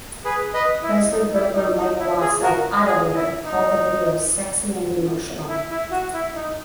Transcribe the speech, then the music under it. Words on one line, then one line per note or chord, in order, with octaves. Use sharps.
Presley Gerber Mike Wass of "Idolator" called the video "sexy and emotional".
G#4 B4
B4 D#5
E4
D#4
E4
D#4
D#4
E4
G#4
F#4 A#4
G#4
E4
D#4
E4
E4
F#4
E4
D#4